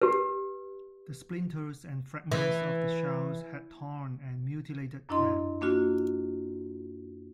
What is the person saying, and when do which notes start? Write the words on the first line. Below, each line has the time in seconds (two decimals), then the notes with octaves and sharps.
The splinters and fragments of the shells had torn and mutilated them.
0.02 G4 B4
2.32 E3
5.09 F#2 D4 E4 D#5 C6
5.61 A#3 D4 F4 F#4